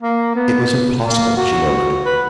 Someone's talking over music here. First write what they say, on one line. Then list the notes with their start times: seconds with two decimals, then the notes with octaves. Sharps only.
"It was impossible," she murmured.
0.02 A#3
0.36 B3
1.04 A#3
1.37 F#4
2.05 B4